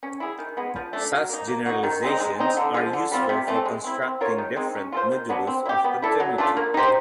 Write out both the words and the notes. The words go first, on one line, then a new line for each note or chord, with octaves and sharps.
Such generalizations are useful for constructing different modulus of continuity.
C#4
E4 G#4
D#3
G#3 B3
F3
A3 D4
F#3
A#3 D#4
A#3
D#4 F#4
D#3
G#3 C4 D#4
G#3
C4 D#4
D3
F3 G#3
D3
G3 C4 F4
C3
E3 A3 C4
G#3
C4 E4
C4
F4 A#4 C#5
D#3
G#3 C4 D#4
C#4
F4 A4 C5
D#3
F#3 B3 D4
C4
E4
G4
B3
E4 A4 D5
F#3
A3 D4 F4
A#3
D#4 G4 C5